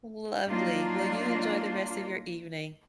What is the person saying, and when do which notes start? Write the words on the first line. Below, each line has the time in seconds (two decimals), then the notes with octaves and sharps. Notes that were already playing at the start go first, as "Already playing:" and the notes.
Lovely. Well, you enjoy the rest of your evening.
0.47 F#3 A#3 D4 D#4 F4